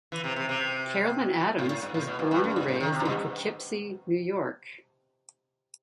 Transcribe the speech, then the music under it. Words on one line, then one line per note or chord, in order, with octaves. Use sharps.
Carolyn Adams was born and raised in Poughkeepsie, New York.
E3
C3
C3
C3
A2
A2
G2
A2
B2
G2
G2
F#2
G2
A2
D#3
C3
F#2
G2